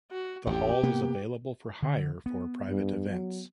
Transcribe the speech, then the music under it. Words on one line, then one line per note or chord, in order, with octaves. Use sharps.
The hall is available for hire for private events.
F#4
A1 F2 G4
C3 A#3 B3
D3
B3
G2
F#3